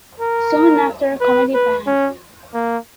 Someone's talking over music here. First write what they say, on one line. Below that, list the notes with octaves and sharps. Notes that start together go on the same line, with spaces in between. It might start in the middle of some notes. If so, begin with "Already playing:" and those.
Soon after, Comedy Bang!
A#4
B4
B4
C#4
A#3